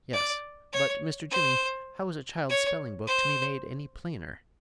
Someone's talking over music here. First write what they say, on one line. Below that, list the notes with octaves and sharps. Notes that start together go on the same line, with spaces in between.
"Yes, but Mr. Jimmy, how is a child's spelling-book to be made any plainer?"
D5
C#5
C5
C#5
C5